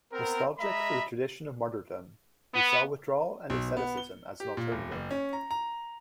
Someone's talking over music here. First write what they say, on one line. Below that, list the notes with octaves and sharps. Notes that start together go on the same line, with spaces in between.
Nostalgic for the tradition of martyrdom, he saw withdrawal and asceticism as an alternative.
B3 C4 A#4
G#3 D#5 E5 A#5 B5
B3
B1
B3
G7
G4
A#2
E1
F#1
C#4
A#5
A#5